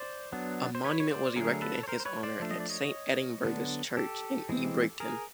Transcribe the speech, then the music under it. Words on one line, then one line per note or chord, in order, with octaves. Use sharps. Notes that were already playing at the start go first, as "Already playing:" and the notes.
A monument was erected in his honour at Saint Eadburgha's Church in Ebrington.
Already playing: C5 D5
F#3 B3 D4
C5
B4 C#5
C#5
C5 D5
D3 F#3 A3 G#4 A#4
A4 B4
C#5
A#4 C5
C5
B4 C#5
C5 D5
F3 A3 D4
D#5
D5
C#5 D#5
D3 F#3 B3 D4
G4 A4
E3 G#3 C4
G#4 A#4